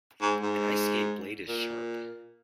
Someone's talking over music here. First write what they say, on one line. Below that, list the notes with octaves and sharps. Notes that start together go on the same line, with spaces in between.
An ice skate blade is sharp.
G#2
G#2
A#2